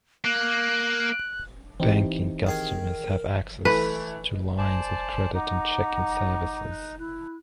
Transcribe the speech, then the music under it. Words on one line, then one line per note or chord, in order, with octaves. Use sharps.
Banking customers have access to lines of credit and checking services.
A#3 F#6
E3 C4 D#4 G4
D#3 G#4 A#4 G#5
E3 A3 B4
C5 D5 G#5 A5
D#4 F#5 A#5 D6
F#6
E4 F#6